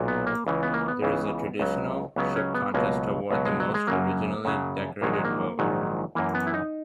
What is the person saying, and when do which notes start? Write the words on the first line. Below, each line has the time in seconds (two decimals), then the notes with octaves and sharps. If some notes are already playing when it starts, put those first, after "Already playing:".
There is a traditional ship contest to award the most originally decorated boat.
Already playing: B1 A#2 F#3
0.08 B3
0.27 A#3
0.47 C#2 C#3 E3
0.63 B3
0.74 A#3
0.88 B3
1.02 C#2 C#3 E3
1.59 C#2 C#3 F#3
2.16 C#2 C#3 F#3 B3
2.36 C#4
2.54 B3
2.74 C#2 B2 F#3 A#3
3.30 C#2 B2 F#3
3.46 G#3
3.60 F#3
3.74 G#3
3.87 F#2 C#3 F#3 A#3
4.45 F#2 C#3 F#3
5.01 A#1 G#2 D#3 F#3 A#3
5.13 G#3
5.25 A#3
5.59 A#1 G#2 D#3 F#3
6.15 F#2 E3 A#3
6.35 B3
6.47 E4
6.54 D#4